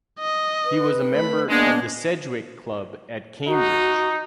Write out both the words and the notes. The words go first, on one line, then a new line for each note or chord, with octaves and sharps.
He was a member of the Sedgwick Club at Cambridge.
D#5
B4
A3 B5
G#3 A#3 B3 D4
D#4 F#4